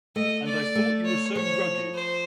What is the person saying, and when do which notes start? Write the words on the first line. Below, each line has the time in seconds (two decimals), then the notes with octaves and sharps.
And I thought you were so rugged!
0.16 A3 D#5
0.46 D5
0.75 A3
1.05 C#5
1.35 F3 C#5
1.94 C5